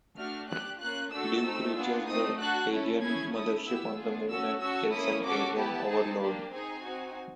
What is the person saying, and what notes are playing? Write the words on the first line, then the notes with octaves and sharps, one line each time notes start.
Duke reaches the alien mothership on the Moon and kills an alien Overlord.
A3 D4 F#4 F6
D4 G4 F#6
A#3 C#4 F4 F#6
A3 D4 F#4 A4 E6
A3 C4 D#4
B3 D4 F4 G#4
A3 C4 D#4 D#6
D4 F#4 A4 F#6
C#4 E4 A4
A3 C#4 E4 G#4 G#6
C#4 E4 A4 D#6
B3 E4 G4 E6
B3 D4 F4 G#4
C#4 F#4 A4 E6
C#4 F#4 A4 E6
A#3 C#4 E4 D#6
C#4 F#4 A4 D6
B3 E4 G4 A5
C4 D#4 G#4
A#3 D4 G4
C4 D#4 G#4 G#5
C4 D#4 F#4